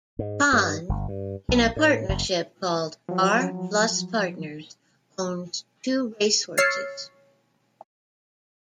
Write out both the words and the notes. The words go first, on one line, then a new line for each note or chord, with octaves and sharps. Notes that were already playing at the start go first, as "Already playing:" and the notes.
Conn, in a partnership called R Plus Partners, owns two race horses.
G#2
G2
G1
G2
B1
A2
F#1
F3 F#3
C#5 E6 F6 A6 C7 C#7